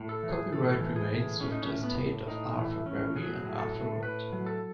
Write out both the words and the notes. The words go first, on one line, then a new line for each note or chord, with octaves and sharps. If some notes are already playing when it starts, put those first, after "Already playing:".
Copyright remains with the estate of Arthur Berry and Arthur Wood.
Already playing: A2
A4
E3
G#4
A2 A4
E3
G#4
A2
A2 C#4
D#4
C#4
A2
B3
A2
A2 D#4
E3 E4
A2 C#4
F#3 G#4
A2
A4
A2
A2 B4
F#3
A4